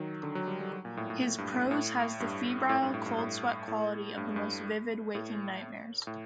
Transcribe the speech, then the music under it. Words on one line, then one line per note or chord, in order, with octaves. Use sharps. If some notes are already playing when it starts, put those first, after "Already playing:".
His prose has the febrile, cold-sweat quality of the most vivid waking nightmares.
Already playing: D#3 F#3
D3
F#3
G3
G3
F#3
A#2
A2
A2
A2
G2
A2
A2
G2
A2
G2
A2
G2
A2
A2
G2
G2
A2
A2